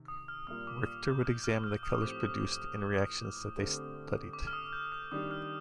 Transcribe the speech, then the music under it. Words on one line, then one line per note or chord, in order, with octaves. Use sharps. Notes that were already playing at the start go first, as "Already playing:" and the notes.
Richter would examine the colors produced in reactions that they studied.
Already playing: C3 D#3
D#6
F6
A#2 G3 A#3 F4 D#6
D6
D#6
G6
F6
F6
F6
D#6
D#6
A2 F3 C4 G4 D6
D3 A3 C4 G4
D6
F6
D#6
G6
F6
D#3 G3 D4 G4 D#6
F6